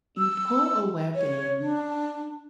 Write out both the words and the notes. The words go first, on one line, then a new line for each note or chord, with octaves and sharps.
You pull a weapon,
E6
C#5
D4